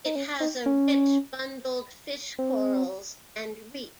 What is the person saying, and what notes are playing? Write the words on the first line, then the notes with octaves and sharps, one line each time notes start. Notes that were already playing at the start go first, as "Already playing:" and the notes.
It has a rich bundled fish corals and reef.
D#4
C#4
D#4
C#4
C4